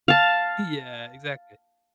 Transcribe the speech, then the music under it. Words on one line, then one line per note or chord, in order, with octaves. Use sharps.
Yeah, exactly.
F5 A5